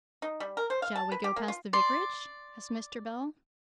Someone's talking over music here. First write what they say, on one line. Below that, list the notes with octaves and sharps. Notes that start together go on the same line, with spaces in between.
'Shall we go past the vicarage?' asked Mr. Bell.
D#4
G3
A#4
C5
F5
A5
B4
G4
A#3
F4
D5 C6